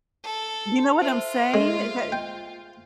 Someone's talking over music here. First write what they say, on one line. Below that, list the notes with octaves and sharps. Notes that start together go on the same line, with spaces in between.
You know what I'm saying? That
A4
F4 C5 E5
G#3
G5